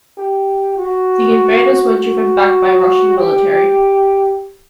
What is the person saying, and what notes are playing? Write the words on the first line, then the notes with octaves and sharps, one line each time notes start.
The invaders were driven back by Russian military.
G4
F#4
F#4
G4